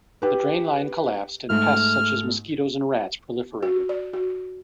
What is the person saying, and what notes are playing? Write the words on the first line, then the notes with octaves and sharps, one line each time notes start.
The drain line collapsed and pests such as mosquitos and rats proliferated.
G4 B4
G#2 A3 F6
F#4
D5
F#4